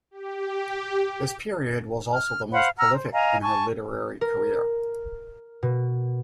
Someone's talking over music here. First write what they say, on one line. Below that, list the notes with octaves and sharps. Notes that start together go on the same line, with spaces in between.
This period was also the most prolific in her literary career.
G4
F6
C5 F5 F#5 B5
F#5 A#5 E6 F6
C5
D#5 F5 G#5 A#5
G#5 A5 C#6
A#4
B2